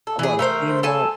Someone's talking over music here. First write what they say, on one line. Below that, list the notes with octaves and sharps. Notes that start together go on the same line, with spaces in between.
I bought a steam mop.
A4
E3 G#4
A3 A#4 C5
A4 G#5 A5